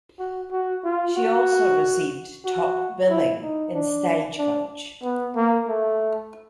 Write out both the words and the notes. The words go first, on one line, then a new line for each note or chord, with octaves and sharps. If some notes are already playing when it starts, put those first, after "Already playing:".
She also received top-billing in "Stagecoach".
F#4
F#4
F4
F#4
F#4
E4
D#4
D4
D4
B3
A#3
A3